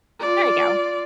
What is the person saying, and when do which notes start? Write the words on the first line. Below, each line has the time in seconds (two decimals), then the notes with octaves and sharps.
There you go.
0.20 F4 D5